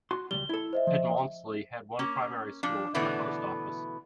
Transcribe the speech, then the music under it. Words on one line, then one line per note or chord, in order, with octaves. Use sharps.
Edmondsley has one primary school, and a Post Office.
F#4 C6
C#2 F#3 G3 G7
E4 A4
C5 D#5 E5
F3
A#3 C#4
F3 D4
B2 D3 E3 A3 B3 D5